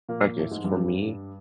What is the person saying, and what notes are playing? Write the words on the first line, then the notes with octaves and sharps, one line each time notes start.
Okay, so, for me,
A#2 A#3
A#2 A#3
A2 A3
G#2 G#3
G2 G3
G2 G3